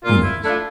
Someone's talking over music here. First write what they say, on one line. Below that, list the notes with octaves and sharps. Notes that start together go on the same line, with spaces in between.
Who knows?
A#2 F4
E4
A3 D4 E4 F4